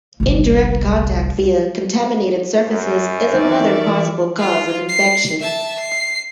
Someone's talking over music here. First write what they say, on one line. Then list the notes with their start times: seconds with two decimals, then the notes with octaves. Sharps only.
Indirect contact via contaminated surfaces is another possible cause of infection.
0.20 G1 C2
2.68 F#2
3.33 D#3 E3 A#4 D5 E5 C#6 D6
4.38 F4
4.89 C7
5.40 E5 A5
5.80 C7